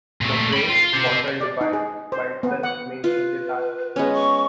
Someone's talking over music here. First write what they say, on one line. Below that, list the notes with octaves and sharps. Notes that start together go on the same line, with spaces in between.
The phrase "bottled by", by itself, means only that.
A#2 A3
G5 B5
F4 F5
G4 C5
D5
D#4
G#4
C5
B3
F#5
F4 B4
G#3 B3 C#4
C#6